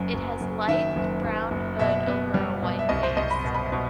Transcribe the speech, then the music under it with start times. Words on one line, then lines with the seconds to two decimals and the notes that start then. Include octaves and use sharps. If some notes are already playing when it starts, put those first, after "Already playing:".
It has a light brown hood over a white face.
Already playing: F#1 F#2
0.14 F#1
0.41 F#1
0.68 D#3 E5
0.96 F#1
1.24 F#1
1.51 F#1
1.79 B2 E5
2.07 B3
2.34 G3
2.62 B2
2.79 E5
2.89 C2 D#5
3.03 C5
3.17 C2 D#5
3.30 B5
3.45 B2
3.54 B5
3.72 B2